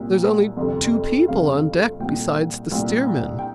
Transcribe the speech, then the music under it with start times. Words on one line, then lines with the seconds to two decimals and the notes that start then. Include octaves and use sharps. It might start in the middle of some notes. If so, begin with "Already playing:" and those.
There's only two people on deck besides the steersman.
Already playing: C2 A#2
0.57 G1 F2 C3
1.28 G1 F2 C3 F5
1.99 C2 A#2 G5
2.72 C2 A#2
3.39 G5